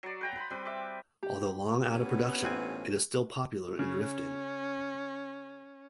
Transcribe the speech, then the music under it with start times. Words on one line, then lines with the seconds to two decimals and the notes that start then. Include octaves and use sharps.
Although long out of production, it is still popular in drifting.
0.03 F#3 D5
0.21 B4 G5 A#5
0.36 B4 B5 C6
0.50 G3 C4 B4
0.65 E5 D6
1.23 G4
1.90 G2 A#2 B3 C#4
2.44 A1 C4 G#5 F#6
3.79 C#3 C#4